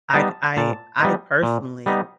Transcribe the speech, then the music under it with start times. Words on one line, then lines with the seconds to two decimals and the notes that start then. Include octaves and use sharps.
I ca I I personally,
0.10 A#5
0.14 G3 B3 D#4 A5
0.57 A#2 A5
1.00 G3 B3 D#4
1.43 A#2
1.86 G3 B3 D#4